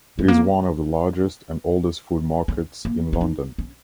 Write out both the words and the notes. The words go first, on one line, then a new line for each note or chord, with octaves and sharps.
It is one of the largest and oldest food markets in London.
G#3
A#3
C#4
A#3
C#4
D#4
C#4